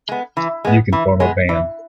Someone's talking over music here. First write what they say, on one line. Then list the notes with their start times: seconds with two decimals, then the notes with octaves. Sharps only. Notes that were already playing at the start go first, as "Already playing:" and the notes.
You can form a band.
0.09 G#3 B3
0.37 E3
0.65 G#3 B3
0.93 E3
1.20 G#3 B3
1.49 E3